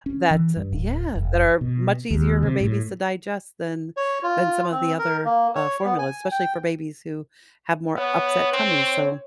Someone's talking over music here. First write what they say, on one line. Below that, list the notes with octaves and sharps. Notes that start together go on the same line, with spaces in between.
that yeah, that are much easier for babies to digest than than some of the other, uh, formulas, especially for babies who have more upset tummies, so
C#4
E3
G2
D1
F1
B2
D#2
C3
A2
C#5
F4
C4
A#4
A#3
C#5
B3
G#5
G5
B3 C#5
C4